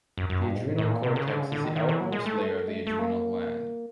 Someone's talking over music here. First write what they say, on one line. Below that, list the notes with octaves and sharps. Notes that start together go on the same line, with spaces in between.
The adrenal cortex is the outermost layer of the adrenal gland.
F#2
F#2
G2
G#2
A2
A2
A#2
C3
C#3
D3
C#3
D3
D#3
D#3
E3
F#3
G#3
A3
G#3
A3
A3
A#3